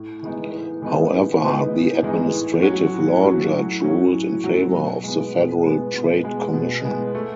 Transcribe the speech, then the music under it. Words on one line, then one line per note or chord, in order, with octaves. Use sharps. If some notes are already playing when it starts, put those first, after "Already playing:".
However, the Administrative Law Judge ruled in favor of the Federal Trade Commission.
Already playing: A2
E3 G#3 B3 D#4
A2
E3 G#3 B3 D#4
A2
E3 G#3 B3 D#4
A2
E3 G#3 B3 D#4
A2
F#3 C#4 F#4
A2
F#3 C#4 F#4
A2
F#3 C#4 F#4
A2
F#3 C#4 F#4
B2
G#3 B3
B2
G#3 B3
B2
G#3 B3
B2
G#3 B3
A3